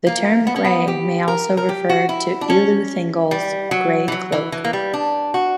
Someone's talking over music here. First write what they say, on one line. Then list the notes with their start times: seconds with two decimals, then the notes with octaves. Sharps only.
The term "grey" may also refer to Elu Thingol's grey cloak.
0.07 A#3
0.47 B3
0.56 C#4
0.65 B3
0.88 G4
1.28 A#4
1.57 A#4
1.69 G4
1.89 F#4
2.09 E4
2.41 D4
2.50 C#4
3.31 G3
3.71 F#3
4.08 E3
4.12 F#3
4.32 E3
4.52 E3
4.64 A#3
4.73 G3
4.93 D4
5.34 F#4